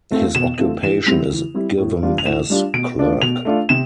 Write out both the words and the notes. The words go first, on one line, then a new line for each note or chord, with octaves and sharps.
His occupation is given as "clerk".
A3 C4 F4
B2 E7
A3 C4 F4
E3 E7
G3 C4 E4 F7
E3
G3 C4 E4
A2
G3 D4 F4
F7
A2 E7
G3 D4 F4
B2 D7
A3 D4 F4
B2 F7
A3 D4 F4
C3 E7